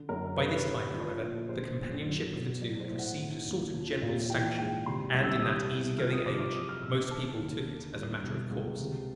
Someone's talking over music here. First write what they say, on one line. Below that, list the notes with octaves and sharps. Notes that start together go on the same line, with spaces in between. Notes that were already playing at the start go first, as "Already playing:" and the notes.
By this time, however, the companionship of the two had received a sort of general sanction, and in that easy-going age most people took it as a matter of course.
Already playing: D3
F#2 A#4
C3 B4
D2
F3
A#2
D3 C5
F#2
F#3
B2
F#3 D5
C5
A2
F#5
D#3
D#2
F3
A#2
E3 G5
G#2 G5
C3 C6
C2
E6
C3 D#6
C2
F3 F6
D#6
C3 D6
D6
F#3 D#6
F6
B2 E6
D6
C#3 A5
D#2
D3
G2
B2
C#2
C3